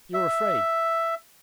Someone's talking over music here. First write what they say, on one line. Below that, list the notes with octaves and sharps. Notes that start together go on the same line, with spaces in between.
You're afraid!
E5